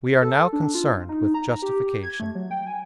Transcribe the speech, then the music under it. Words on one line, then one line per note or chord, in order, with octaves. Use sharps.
We are now concerned with justification.
A4
D4
F4
D#4
A#5
G4
G#6
A3
F#3
G5
G#5